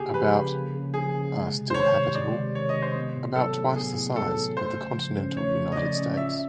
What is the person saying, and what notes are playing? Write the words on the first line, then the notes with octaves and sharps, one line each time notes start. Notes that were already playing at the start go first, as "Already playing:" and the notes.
About are still habitable - about twice the size of the continental United States.
Already playing: C#3 A#3 G4 G#4
F3 B4
C#3
A#3
C#3
F3 G#4
C#3
G#3
C3
C5
D#3 C#5
C3
G#3 D5
C3
D#3 C#5
D#5
C3
C5
B3
A2
F#3 A4
A2
B3 G#4
A2
F#3 A4
A2
A3 C5
C#3
F3
C#4
A3 C#5
C#3
D#5
F3 D5
C#4
F4 E5